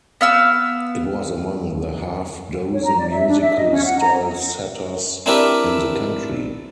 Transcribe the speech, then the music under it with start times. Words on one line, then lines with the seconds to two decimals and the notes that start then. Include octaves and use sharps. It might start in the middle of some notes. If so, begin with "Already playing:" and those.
It was among the half-dozen musical style-setters in the country.
0.21 B3 F5 E6
2.72 C#5
2.84 A#5
2.98 D5
3.10 E5
3.27 D4
3.41 E5
3.55 D#5
3.70 C#4
3.84 F#5
3.99 A#5
5.26 C4 D4 E4 G4 A#4 B4